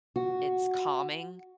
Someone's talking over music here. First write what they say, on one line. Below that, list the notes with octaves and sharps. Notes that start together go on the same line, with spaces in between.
it's calming,
F#4